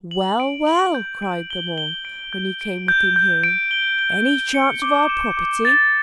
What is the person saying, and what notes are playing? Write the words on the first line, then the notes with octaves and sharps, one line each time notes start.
"Well, well," cried them all, when he came within hearing, "any chance of our property?"
F#7
D7
F#7
G6
D7
G7
G7
D7
G6
D7
G6
G6
D7
G7
G7
G7
C#7
D6
E7
D6
A6